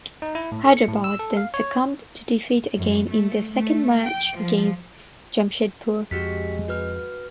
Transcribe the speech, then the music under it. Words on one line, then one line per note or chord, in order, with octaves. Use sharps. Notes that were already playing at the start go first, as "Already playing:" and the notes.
Hyderabad then succumbed to defeat again in their second match against Jamshedpur.
D#4
E4
A2
A4
C#7
A2
E6
A4
F5
C#5
F#2
A3
A3
G5
F3
F2 G#3 F#4 G4 B6
F#4 B4 F6